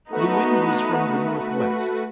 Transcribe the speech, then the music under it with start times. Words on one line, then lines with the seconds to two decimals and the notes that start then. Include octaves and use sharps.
The wind was from the north-west.
0.11 A3 B3 D#4 F#4 B4